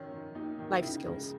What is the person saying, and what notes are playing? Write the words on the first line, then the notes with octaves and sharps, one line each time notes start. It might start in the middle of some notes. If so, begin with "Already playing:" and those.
Life skills.
Already playing: F#2 D#3 C#4
D#3
D#2 D#4
D#3
E4
C#3 D#4
C#3 G#3